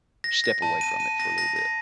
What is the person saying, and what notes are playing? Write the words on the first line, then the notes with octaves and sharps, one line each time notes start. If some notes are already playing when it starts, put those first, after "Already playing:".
step away from it for a little bit.
A#6
A#6
A5
D#7
D#7
A#6
A#6
A#6